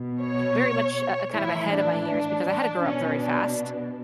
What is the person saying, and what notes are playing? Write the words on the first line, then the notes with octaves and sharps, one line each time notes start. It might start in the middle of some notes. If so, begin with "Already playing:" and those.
very much, uh, kind of ahead of my years, because I had to grow up very fast.
Already playing: B2
C#5
A2 E3 E4
D4
D4
D4
B2 C#4
D4